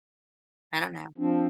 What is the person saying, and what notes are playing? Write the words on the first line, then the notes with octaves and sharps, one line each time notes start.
I don't know.
F3 C4 D4